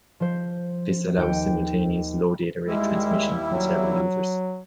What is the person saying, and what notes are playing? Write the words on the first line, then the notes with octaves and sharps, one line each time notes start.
This allows simultaneous low-data-rate transmission from several users.
F3 C5
D#2 G5 C#7
D#2 G3 G#3 E4
F#3